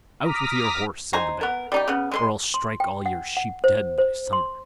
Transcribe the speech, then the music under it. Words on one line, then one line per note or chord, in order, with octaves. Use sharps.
'Out with your horse', said the Bear, 'or I'll strike all your sheep dead by summer.'
A#5 D6 D#6 F6 A#6 B6
D#4 C5 G#5 A#5
B3 A#4
G3 D#4 G4
C#3 B3
G#3 E4 C6
C6
G5
F#5
F#5
C5
C5
C6